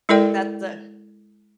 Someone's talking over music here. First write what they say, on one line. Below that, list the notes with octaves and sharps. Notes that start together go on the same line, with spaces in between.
that the
G#3 E4 A4 A#4 D5 G5